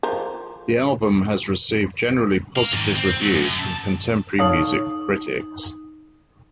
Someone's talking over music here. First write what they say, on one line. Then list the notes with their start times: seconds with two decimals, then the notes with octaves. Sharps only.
The album has received generally positive reviews from contemporary music critics.
0.03 F3 A#4
2.56 F5 A#5
2.72 G#2 D#3
2.96 C4
3.22 F#3 A3
3.34 F#2
3.58 A5
4.39 D#4 A4 C#5 F5 D#6 F#7